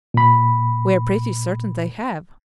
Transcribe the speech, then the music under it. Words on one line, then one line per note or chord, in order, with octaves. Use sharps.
"We are pretty certain they have."
A#2 B5